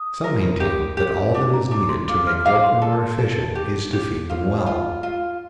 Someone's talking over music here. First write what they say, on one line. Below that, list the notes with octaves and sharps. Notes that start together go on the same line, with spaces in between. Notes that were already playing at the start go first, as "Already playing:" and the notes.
Some maintain that all that is needed to make workmen more efficient is to feed them well.
Already playing: D#6
A#4
G4
G4
D4 D6
A#5
D4 D6
C6
F4 D6
F6
F5 D6
C6
A4 A5
A4
G4
G4
F4
F4
F4